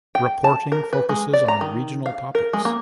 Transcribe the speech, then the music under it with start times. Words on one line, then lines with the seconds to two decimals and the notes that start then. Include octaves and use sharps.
Reporting focuses on regional topics.
0.15 G5
0.44 A5
0.72 A#4
0.93 B4
1.09 G#3
1.33 D5
1.48 A#5
1.61 D#3
2.06 F5
2.35 A#4
2.53 G#3
2.65 A#3